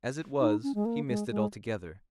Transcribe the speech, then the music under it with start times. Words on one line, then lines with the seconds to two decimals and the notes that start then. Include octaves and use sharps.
As it was, he missed it altogether.
0.40 D#4
0.63 C#4
0.75 G#3
0.85 A#3
1.08 G#3
1.30 G#3